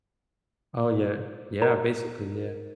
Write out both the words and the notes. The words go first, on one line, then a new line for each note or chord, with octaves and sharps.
Oh, yeah Yeah. Basically, yeah.
A#4